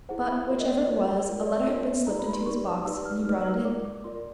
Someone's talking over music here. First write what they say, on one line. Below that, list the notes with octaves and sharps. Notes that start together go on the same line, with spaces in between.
But, whichever it was, a letter had been slipped into his box, and he brought it in.
E4 G#4 C5 F#5
F#5
F4 A#4 C#5 E5
D#5
D5
D#5
F4 A#4 C#5
F4 A#4 C#5 D5
D5
F4 A#4 C#5 D#5
E5
D#4 G4 B4 D5 A#5
B5
C6
D#4 G4 B4 D5 C#6
D6
D#4 G4 B4 D5 E6
F6
D#4 G4 B4 D5 F6
E6
F4 A#4 D5 D6
D6
F4 A#4 D5 C6